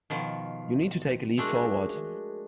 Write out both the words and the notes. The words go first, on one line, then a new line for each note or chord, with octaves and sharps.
You need to take a leap forward.
B2 D#3 F3
G#3 A3 D4 F#4 G#4 A#4